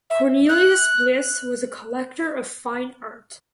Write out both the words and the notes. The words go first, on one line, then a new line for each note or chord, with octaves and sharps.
Cornelius Bliss was a collector of fine art.
E5
F#6